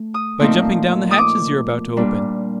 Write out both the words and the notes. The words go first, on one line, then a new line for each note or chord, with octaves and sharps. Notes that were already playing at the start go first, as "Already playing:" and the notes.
"By jumping down the hatches you're about to open."
Already playing: A3
D#6
A#2 F3 A3 C4 D#4
D#6
D6
A#2 G3 D4